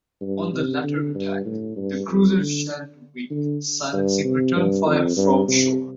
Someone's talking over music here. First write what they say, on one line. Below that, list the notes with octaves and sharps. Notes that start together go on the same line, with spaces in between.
On the latter attack, the cruisers shelled Wake, silencing return fire from shore.
G2
C3
D3
G2
A2
G2
F2
D3
D3
G2
C3
G2
F2
G2
C3